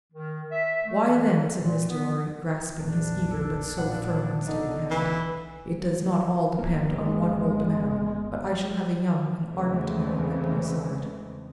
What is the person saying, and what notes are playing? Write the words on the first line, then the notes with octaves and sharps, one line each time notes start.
"Why, then," said Mr. Lorry, grasping his eager but so firm and steady hand, "it does not all depend on one old man, but I shall have a young and ardent man at my side."
D#3
E5
A3
E3
A#2
B3
A#1 E2 D4
A4
A#2 F3 F#5
B1 D3 D#4
E3
G1 A#3
G#3
E2 C#3 E3 G#3 A3 C4